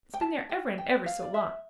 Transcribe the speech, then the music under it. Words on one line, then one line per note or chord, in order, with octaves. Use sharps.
It's been there ever and ever so long!
G5
A5
G5
G5
F5
D5
E5